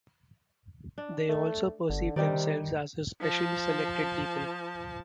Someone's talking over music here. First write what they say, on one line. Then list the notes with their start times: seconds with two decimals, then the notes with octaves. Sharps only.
They also perceived themselves as a specially selected people.
0.98 D4
1.29 A3
1.90 G1 D3
2.16 C3 D#3 G3 D#4 D5
3.20 F3 A5